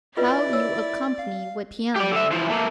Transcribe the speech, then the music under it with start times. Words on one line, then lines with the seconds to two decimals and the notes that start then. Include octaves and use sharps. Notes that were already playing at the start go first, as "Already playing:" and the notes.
"How you accompany with piano?"
0.17 E4 F4 B4 D5 D#5
0.53 C#5 E6
1.19 F5
1.96 G4 D5
2.11 D3 E5
2.31 E3 F3
2.49 A3 A#3